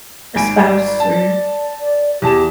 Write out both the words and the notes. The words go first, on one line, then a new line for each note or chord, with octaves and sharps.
a spouse or
G#1 G#5 D7
D5
A5
D5
E2 G4 A5 E7